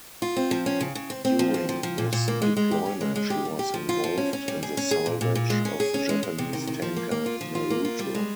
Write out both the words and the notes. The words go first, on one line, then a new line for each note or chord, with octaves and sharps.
During this deployment she was involved in the salvage of Japanese tanker "Naruto".
F4
C4
F3
C#4
C#3
C#3
C4
C4
F3
C4
F3
F3
A#2
A#2
A#3
G#3
G#3
G4
C#4
G#3
G#3
G4
G3
G4
F3
F4
F3
C#4
C#4
G3
G#4
C#4
G#4
A#2
A#2
A#2
G#3
C#4
G#4
C#4
G#3
G#3
C3
D#3
D#3
F3
A#3
A#3
F4
F3
F4
A#3
F4
G3
G#3